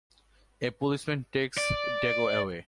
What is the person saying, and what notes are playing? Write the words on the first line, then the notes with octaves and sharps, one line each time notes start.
A policeman takes Dago away.
D5